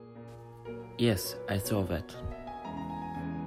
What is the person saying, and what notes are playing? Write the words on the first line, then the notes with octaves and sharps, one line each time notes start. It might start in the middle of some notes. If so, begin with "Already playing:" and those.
Yes, I saw that.
Already playing: A#2 A#3 G#4
A#2 A#3
A#2 F#3 A#3 A#4
A#2 F#3 A#3 B4
C#5
B4
B2 A#3 C#5
B2 D#5
A#3
E5
G#5
E2 C#3 E3 G#3 A#5
A#5
G#5
G#5
E2 C#3 E3 G#3 G#5